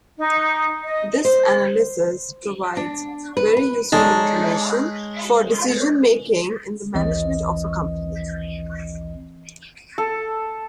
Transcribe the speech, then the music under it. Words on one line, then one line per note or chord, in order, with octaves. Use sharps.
This analysis provides very useful information for decision-making in the management of a company.
D#4
D#5
C5
D4
B4
B4
G#3 D#4 A4 C#5 D5 A5
A#1 D#2 E3 C4 D#5
A4